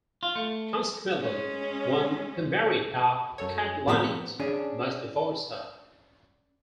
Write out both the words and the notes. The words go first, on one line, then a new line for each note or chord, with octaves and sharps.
Consequently, one who married a "katlanit" must divorce her.
F4
A3
G#3 C#4
F#2 A4 C#5
A2 F3 B3 C4 G4 B6
C#4 D4 G#4